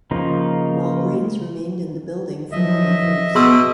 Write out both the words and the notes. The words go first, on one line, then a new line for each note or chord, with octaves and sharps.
Walgreens remained in the building for many years.
C#3 F3 A#3 D#4 F4
F3 F#3 D#5 E5
B2 B3 G#4 C6 E6